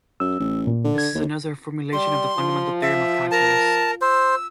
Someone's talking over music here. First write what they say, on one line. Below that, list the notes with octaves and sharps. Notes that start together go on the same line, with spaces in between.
This is another formulation of the fundamental theorem of calculus.
F#2 E6
A1
A#2
D3
G#6
D#2
G3 C6
F3
E5
A#4 A5
C5 E6